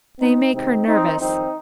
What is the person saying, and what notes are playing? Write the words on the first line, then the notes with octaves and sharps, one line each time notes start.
They make her nervous.
C4 D#4
C3 D#3 G#3 C4 D#4
C4 D#4
F2 D#3 G3 C4 D#4